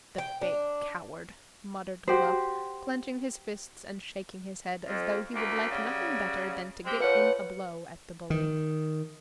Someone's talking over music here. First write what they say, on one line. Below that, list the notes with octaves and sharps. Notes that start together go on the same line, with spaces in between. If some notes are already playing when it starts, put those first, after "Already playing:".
"The big coward!" muttered Bluff, clenching his fists and shaking his head, as though he would like nothing better than to get in a blow at the bully.
G5
D4
F#4 G4 C5
F2
D2 A3 A#3
C#3 F#3 G3
G#3 C4 G4
F3 B4 C#5 F#5
D#3